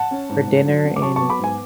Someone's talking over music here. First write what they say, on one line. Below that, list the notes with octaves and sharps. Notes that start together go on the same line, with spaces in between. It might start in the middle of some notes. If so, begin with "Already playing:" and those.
for dinner, and
Already playing: F#5 A5
C#4
G#2
G#2
F#3
C#4
D6
F#3 A5 C#6
B3 A5 C#6
B5 D6
G#2 G#5